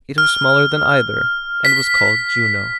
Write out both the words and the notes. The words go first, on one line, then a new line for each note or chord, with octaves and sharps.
It was smaller than either, and was called Juno.
F6
B6